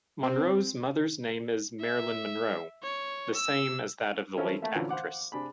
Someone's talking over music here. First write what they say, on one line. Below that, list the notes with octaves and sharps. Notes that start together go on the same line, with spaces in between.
Monroe's mother's name is Marilyn Monroe, the same as that of the late actress.
C4
E5
C#5
E6
E3 F3 C#4 E4 A4 A#4
A3 A#3 E5
F2 A#2 D3 E3 F#3 C#4
C5 F5 F#5 D6
C3 D4 G#4 B5